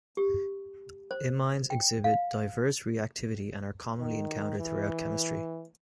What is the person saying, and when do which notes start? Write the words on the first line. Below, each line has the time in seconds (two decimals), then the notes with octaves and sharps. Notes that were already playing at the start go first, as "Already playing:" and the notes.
Imines exhibit diverse reactivity and are commonly encountered throughout chemistry.
0.17 G4
1.11 C5
1.70 G5
2.04 F5
4.01 D#3
4.59 E3